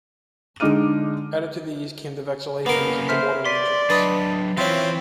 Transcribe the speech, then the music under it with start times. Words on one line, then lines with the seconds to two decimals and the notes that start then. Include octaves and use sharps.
Added to these came the vexillationes of the border legions.
0.60 D3 G#3 D#4 D6 F6 D#7
2.66 C#3 A#3 B3 A#4
3.08 C5 E5 F6 B6
3.46 D5 C6 B6 D#7
3.90 F#3 D4 B4 D#5 D#6 A6
4.57 E3 C4 C#4 F4 E5